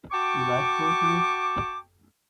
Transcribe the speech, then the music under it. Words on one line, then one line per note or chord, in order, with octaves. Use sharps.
You like poetry?
F#4 G5 A5 C#6 D6